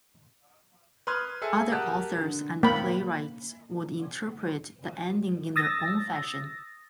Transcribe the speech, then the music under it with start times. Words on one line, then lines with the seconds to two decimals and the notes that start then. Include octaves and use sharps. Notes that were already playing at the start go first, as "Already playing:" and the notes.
Other authors and playwrights would interpret the ending in their own fashion.
1.07 B4 C6 D#6 F6 F#6 G#6
1.42 G#4 A4 E5 G#5
1.71 G4 A#4 F#5 A5 D#6 F#6
2.22 D3
2.63 A#3 B5
5.56 D#6 E6 A6 A#6